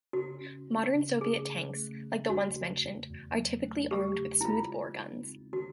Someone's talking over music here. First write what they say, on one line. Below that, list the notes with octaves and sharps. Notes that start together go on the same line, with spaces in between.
Modern Soviet tanks, like the ones mentioned, are typically armed with smooth bore guns.
C#3 F#4
C#4
C#4
C#3
A3 G#4
C#3
A3
C#3
E2 F#4
C#3
E2
E2
F#3
A3
A3 G4
C#3
E4
G#3 F4
G#3
D#4
C4
D#3 F#4